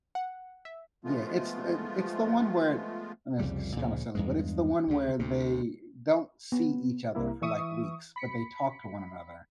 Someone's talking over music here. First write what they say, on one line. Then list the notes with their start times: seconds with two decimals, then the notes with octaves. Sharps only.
Yeah, it's eh, it's the one where I guess it's kinda silly, but it's the one where they don't see each other for like weeks, but they talk to one another,
0.15 F#5
0.65 E5
1.05 F3 G#3 A3 B3 F4
3.39 C2 F2 C#3 G3
3.75 D2 A#2 C#3 F3
4.15 E2 G2 G#3
4.87 D2 C#3
5.19 D2 C3
6.52 B3
7.15 C2 C3 A#3 E4
7.42 E3 E5 C#6 D#6
8.16 B5 B6 C#7